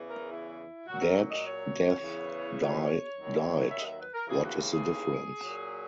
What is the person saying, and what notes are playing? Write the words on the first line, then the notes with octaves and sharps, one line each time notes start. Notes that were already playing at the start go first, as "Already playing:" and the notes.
Dead, death, die, died - what is the difference?
Already playing: E2 C#3 E3
A#4
E4
A#2 F#3 F#4
A#4
D#5
C#5
E2 C#3 E3
D#2 D#3 F#3
E5
D#5
E5
B4
A#4
D#2 C#3 E3 G#4
F#4
G#4
A#2 F#3